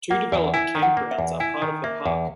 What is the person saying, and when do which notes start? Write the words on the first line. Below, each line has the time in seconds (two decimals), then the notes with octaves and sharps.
Two developed campgrounds are part of the park.
0.10 A#3 F#5
0.32 E2
0.54 E4 G#5
0.75 D#3
0.82 F#5
0.97 A#3
1.11 E5
1.19 E2
1.40 E4 G#5
1.62 D#3
1.84 A#3 E5
2.06 E2